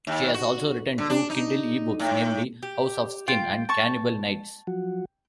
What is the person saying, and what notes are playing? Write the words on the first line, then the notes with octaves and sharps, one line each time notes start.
She has also written two Kindle eBooks namely "House of Skin" and "Cannibal Nights".
D#2
F#4
D3
D4
D#4
A2
G4
F4 G5
A5 C#6
F3 F#3 F#4